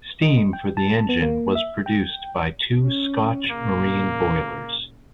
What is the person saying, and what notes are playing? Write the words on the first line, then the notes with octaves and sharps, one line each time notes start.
Steam for the engine was produced by two Scotch marine boilers.
D#5
G5
A5
B3
A#3
E5
G5
C#4
A#2 C#3 A#3